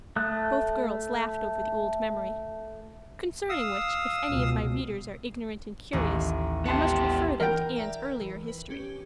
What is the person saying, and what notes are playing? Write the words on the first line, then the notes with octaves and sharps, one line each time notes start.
Both girls laughed over the old memory . . . concerning which, if any of my readers are ignorant and curious, I must refer them to Anne's earlier history.
A3 D#6 F#6
F5 D#6 E6
C#2 B2
A1 D#2
B3 G4 F#5 A5 C6
E3 A#4 G5
D5 E5 A#5
E3
B4
C#4 G4